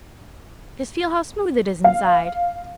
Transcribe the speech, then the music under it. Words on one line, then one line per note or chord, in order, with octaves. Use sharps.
"Just feel how smooth it is inside!"
F5